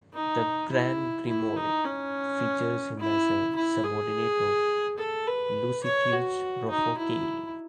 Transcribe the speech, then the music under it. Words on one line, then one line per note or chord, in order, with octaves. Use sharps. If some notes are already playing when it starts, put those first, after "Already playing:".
The "Grand Grimoire" features him as a subordinate of Lucifuge Rofocale.
D#4
E4
E4
D#4
C#4
E4
E4
G#4
A4
B4
C#5
F#4
D#4
E4